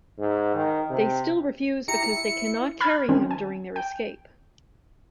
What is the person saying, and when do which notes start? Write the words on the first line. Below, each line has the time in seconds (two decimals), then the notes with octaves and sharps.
They still refuse because they cannot carry him during their escape.
0.19 G#2
0.55 D#3
0.90 C3
1.88 E4 G4 A#5 C#7
2.09 E4
2.81 B5 F6 G#6 A6
3.09 D#3 C4 C#4
3.31 G#5
3.76 G5